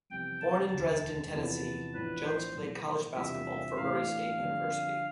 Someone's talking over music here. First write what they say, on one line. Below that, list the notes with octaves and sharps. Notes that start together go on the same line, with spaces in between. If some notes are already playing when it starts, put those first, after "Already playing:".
Born in Dresden, Tennessee, Jones played college basketball for Murray State University.
F2 C3 E3 G3 B3 G5
A5
E1 D2 D3
E2 C3 F3 B3 E4 A5
A5
A1 A2 F3 B3 D4 B4
C5
B1 A2 E3 B3
E2 C3 G3 D4 F4 E5
A2 E3 A3 D4 F5
F2 D3 G3 D4 F4